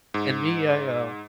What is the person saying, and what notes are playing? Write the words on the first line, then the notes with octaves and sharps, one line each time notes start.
and me, I uh,
G#2